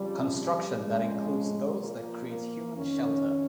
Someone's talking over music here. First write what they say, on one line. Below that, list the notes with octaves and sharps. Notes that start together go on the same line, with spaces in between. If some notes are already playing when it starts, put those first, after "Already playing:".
Construction that includes those that create human shelter.
Already playing: F2 C#3 F3 G3
G3
F2 C#3 F3 G#3
A#2 F3 A#3
A#3
F2 D#3 C#4